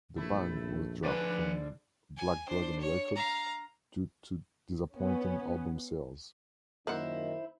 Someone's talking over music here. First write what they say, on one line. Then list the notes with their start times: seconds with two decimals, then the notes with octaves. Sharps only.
The band was dropped from Black Dragon Records due to disappointing album sales.
0.16 A#1 A3 E4
1.03 G#2 D3 F3 B4 D5 G#5
2.17 G#5
2.47 D4 C5
2.81 C#5
3.16 F5 A#5
4.97 B3 C#4
6.87 F#2 A#2 D#3 A#3 E4 C5 D#5 F#5